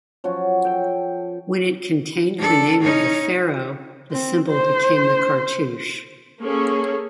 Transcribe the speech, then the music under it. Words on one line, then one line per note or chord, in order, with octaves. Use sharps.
When it contained the name of the pharaoh the symbol became the cartouche.
F3 F#3 C#4 F#4
A4 G5
D4 A4
C#4 D#4
C4
C5
A#3 C#4 G#4 A4 C#5